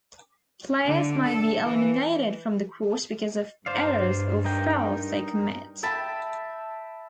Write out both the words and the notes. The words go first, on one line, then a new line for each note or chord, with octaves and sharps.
Players may be eliminated from the court because of errors or fouls they commit.
D3
A4
E3
G2 C5 D5 F5
D#4 A#4 G5
E5 G5 A5 B5